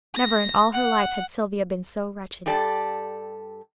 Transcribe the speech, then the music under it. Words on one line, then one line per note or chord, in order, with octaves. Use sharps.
Never in all her life had Sylvia been so wretched.
A#6
F#5
G2 G4 A4 D5 A5